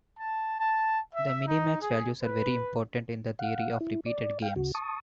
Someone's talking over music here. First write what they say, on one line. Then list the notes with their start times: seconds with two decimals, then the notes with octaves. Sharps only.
The minimax values are very important in the theory of repeated games.
0.18 A5
0.58 A5
1.13 E5
1.46 D#4
1.81 G#4
2.22 B4
3.39 F5 F#5
3.81 E4
4.06 D5
4.42 F5 G5
4.56 D2 C#3 F#4
4.75 A5 C#6 D#6